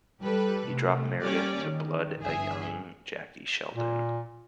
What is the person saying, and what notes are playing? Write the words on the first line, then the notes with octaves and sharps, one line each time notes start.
He dropped Meredith to blood a young Jackie Sheldon.
G3 G4 A4 B4
C3 A3
G3 A#3 C#4 G4 C#5 D5
D#3
G1 G#4 E5
A#2